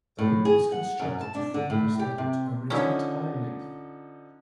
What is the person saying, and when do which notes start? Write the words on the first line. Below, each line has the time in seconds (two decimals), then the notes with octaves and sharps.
The route is constructed to freeway standards over its entire length.
0.19 A2
0.45 G#4
0.72 F#5
1.00 F#2
1.21 A5
1.35 D4
1.54 D3
1.70 A2
1.99 G4
2.18 C3
2.70 D3 F3 C#4 D#4 E4